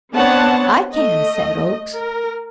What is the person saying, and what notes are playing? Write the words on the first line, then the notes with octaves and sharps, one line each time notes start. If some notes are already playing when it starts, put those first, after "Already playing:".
"I can," said Oakes.
B3 C4 D4 C#5 F#5 A5
A3 D#5
A#4